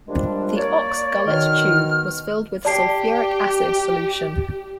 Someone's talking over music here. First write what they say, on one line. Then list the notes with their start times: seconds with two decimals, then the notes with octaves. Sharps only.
The ox-gullet tube was filled with sulfuric acid solution.
0.07 G2 A#2 F3 G3 G#3 D4
0.55 A#3 C#5 D5
1.26 B2 D#3 F6
2.65 G4 D5 A5 C7